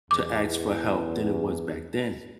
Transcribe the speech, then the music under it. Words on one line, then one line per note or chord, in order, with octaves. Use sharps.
to ask for help than it was back then?
E2 D6